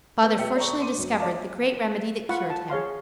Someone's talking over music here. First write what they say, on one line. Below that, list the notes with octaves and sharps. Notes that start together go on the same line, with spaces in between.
Father fortunately discovered the great remedy that cured him.
B3 G6
B2 B3 B4 G5 E6 C#7
D5 A#5 C#6
C6 D6 D#7
F#2
D5 D#5 F5 A5 D6
F4 F#5 B5 C#6
A5
G#4 C#5 F5 C6